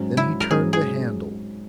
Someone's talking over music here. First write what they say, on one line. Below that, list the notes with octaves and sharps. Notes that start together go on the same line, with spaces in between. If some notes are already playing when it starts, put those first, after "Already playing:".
Then he turned the handle.
Already playing: G#2 F#3 C#4
E4
A#4
G#2 F#3 C#4 G#4
G#4